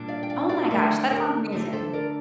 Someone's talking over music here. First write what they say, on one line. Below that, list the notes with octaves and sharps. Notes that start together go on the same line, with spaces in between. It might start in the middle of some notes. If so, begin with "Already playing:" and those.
Oh my gosh, that sounds amazing.
Already playing: A#2 G3 D4
D5 F5
G5
D5 F5
D5 F5
D3 A3 D4 A#4 D5
G4 A#4
D3 A3 D4 D#4
A4 C5
A#4 D5